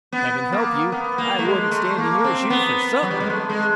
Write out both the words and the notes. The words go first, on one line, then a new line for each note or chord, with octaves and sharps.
Heaven help you, I wouldn't stand in your shoes for something.'
B3
A#3
B3
A#3
A3
G#3
A3
A#3
C4
B3
F#3
G3
G#3
A3
G#3